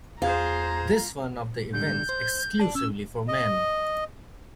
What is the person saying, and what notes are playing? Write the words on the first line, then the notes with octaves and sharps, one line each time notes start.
This is one of the events exclusively for men.
E2 F4 G#4 C5 A#5 G#6
G#2 D3 G3 G6
C5
D5 A5
C#4 E6
D#5